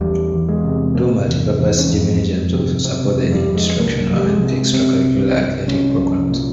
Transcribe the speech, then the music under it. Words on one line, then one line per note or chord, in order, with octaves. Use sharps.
Two multipurpose gymnasiums also support the instructional and extracurricular athletic programs.
E2 G3
E2
G#3
C3
C3 A#3
E2
E2
C#4
F2 C4
F2
C3
C3 C4
C4
F2
G3
F2
G#3
C2 A#3
C2
G3
G#3
C3
C3 C4
C2
C2
C2 C#4
C2
A#2